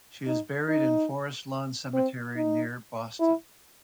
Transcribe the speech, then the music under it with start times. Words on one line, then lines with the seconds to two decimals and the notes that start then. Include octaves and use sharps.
She is buried in Forest Lawn Cemetery near Boston.
0.27 D#4
0.69 D#4
1.94 C4
2.37 D#4
3.20 E4